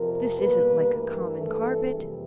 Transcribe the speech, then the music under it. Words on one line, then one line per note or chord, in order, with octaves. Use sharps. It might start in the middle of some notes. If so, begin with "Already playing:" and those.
This isn't like a common carpet.
Already playing: F2 C3 F3 A#4
B2 G3 A#3 B4
G2 E3 A3 A#4
G2 E3 A3 A4
F2 C3 E3 G3 A#3 G#4